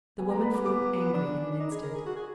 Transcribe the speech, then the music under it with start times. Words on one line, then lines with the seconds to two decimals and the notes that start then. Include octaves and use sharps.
The woman flew angry in an instant.
0.19 B3 G#5
0.30 A#5
0.43 B5
0.55 D6
0.66 D6
1.13 D4
1.51 D4
1.60 D#4
1.72 G#4
1.82 A#4
1.95 G#4
2.06 F#4
2.16 G#4